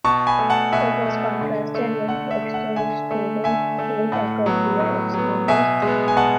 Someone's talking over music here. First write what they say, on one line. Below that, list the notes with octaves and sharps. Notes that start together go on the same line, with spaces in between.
It is contrasted with exchange trading, which occurs via exchanges.
B2 A5 C#6
G#5 B5
A3
F#5 A5
B2 E5 G#5
A3
D3
A3
D3 F#5
E5
A3
F#5
D3 E5 G#5
A3
D3 E5 G#5
A3
A2 F#5 A5
F#3 B3
A2
F#3 B3
B2 E5 G#5
G#3
B3
G#5
B2 F#5 A5